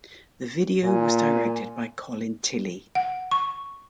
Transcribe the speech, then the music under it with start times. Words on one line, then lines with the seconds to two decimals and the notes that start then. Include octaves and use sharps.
The video was directed by Colin Tilley.
0.84 A#2 G#5
2.95 F#5
3.31 C#6